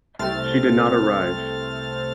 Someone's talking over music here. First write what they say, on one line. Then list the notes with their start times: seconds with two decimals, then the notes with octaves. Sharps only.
She did not arrive.
0.19 C2 C3 A3 C4 F6 A6